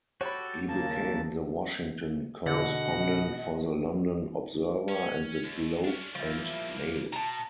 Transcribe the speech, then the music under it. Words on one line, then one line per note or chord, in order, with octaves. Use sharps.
He became the Washington correspondent for the "London Observer" and the "Globe and Mail".
F#4 G4 A4 C#5 B5
D#2 C#3 A#3 A5
B2 D3 D#5 F#5
C#4
D#2
C#4 D4
F3 G3 A#3 E4
B2 A5 A#5